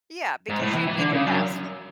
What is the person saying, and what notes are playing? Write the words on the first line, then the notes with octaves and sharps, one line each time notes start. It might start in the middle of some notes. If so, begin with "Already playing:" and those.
Yeah, because you did your best.
G#2
A2
E3
E3
D3
C#3
F#2